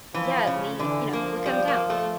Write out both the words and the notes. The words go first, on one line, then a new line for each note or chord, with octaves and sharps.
yeah, we you know, we cut 'em down.
E3 F3
C#3
D3 E3
F3 A#3
G3
A#3
A3